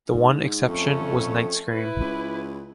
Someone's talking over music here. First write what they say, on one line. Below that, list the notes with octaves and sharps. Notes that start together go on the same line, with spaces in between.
The one exception was Nightscream.
G#2
F2 A3 C#4
E4 B4
C#2